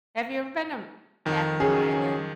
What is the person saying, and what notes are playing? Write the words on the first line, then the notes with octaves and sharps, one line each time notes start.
have you ever been to Mackinac Island?
F2 D#3
C#3 F#3 C#4 G#4